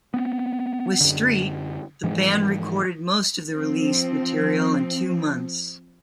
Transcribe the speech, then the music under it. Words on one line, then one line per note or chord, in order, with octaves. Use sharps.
With Street, the band recorded most of the released material in two months.
B3 C4
F#2 D3
G#2 E3 F3 G#3
F3 C4